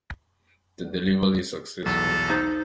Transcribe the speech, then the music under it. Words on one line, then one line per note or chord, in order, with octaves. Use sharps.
The delivery is successful.
B1 E2 A4
D#4 C5